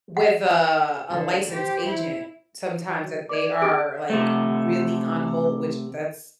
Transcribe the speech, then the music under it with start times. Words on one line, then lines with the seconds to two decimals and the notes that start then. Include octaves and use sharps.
with, uh, a licensed agent, sometimes that they are, like, really on hold, which that's
0.17 F#5
1.10 D3
1.52 G4 C5
1.86 E4
2.98 F#3
3.29 D5 D6 G#6
3.62 C#4 G#4 D7
4.10 C3 A3